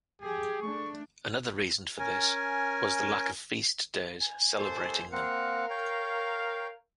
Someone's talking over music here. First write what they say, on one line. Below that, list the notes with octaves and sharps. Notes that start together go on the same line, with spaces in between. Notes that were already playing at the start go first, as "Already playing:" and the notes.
Another reason for this was the lack of feast-days celebrating them.
G4 G#4
A3 D4 C#6
C#4 A#4 G#5
G#5
D#2 A4 C5
A#3 C4 A#4 F5 F#5
C#5 G5